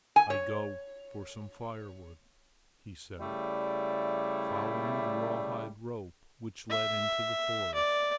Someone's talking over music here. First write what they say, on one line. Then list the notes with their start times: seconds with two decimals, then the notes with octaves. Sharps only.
"I go for some fire-wood!" he said, following the rawhide rope which led into the forest.
0.16 G#5
0.30 C#5
3.19 C#3 G3 A3 E4 D5
6.70 E5
7.74 D5